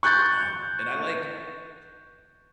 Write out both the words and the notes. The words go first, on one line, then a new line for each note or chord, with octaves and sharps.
Um, and I like
C#6 F#6 G6 A6